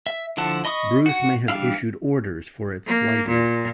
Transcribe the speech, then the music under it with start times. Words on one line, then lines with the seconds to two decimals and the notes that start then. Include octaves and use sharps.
Bruce may have issued orders for its slighting.
0.07 E5
0.37 D3 F3 E4 F#5 A5
0.65 D#5 B5 C#6 D#6
1.06 F#4 F#5
1.48 E3 G3 D4 E4 F5
2.86 A#3
3.28 A#2